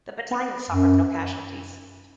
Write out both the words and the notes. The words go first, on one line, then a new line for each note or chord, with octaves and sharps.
The battalion suffered no casualties.
F#2